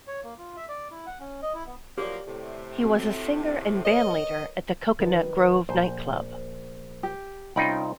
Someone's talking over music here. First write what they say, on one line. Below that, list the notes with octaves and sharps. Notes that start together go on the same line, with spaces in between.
He was a singer and bandleader at the Cocoanut Grove night club.
C#5
A#3
F4
E5
D5
E4
F#5
C#4
D#5
E4
B3
F3 F#3 A#3 G4 D5
A2 C3
C4 F#4
A#4 B4 C#5 D#5
D#3 B4 D#5
A#1 C5
G4
C2 C#4 D#4 F4 G5 B5